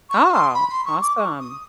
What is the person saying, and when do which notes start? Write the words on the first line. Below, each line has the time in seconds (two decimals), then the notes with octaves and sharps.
Oh, awesome.
0.09 C#6
0.32 C6
0.53 B5
0.69 C6
0.85 C#6
1.01 D6
1.17 C#6
1.39 D#6